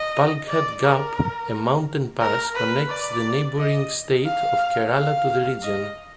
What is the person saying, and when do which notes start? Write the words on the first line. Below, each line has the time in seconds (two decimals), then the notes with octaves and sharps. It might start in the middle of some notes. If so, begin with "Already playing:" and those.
Palghat Gap, a mountain pass connects the neighbouring state of Kerala to the region.
Already playing: D#5
0.49 D5
0.83 A#4
2.21 A#4
2.55 B4
2.90 D5
3.58 D#5
4.26 F5
4.95 F5
5.63 D#5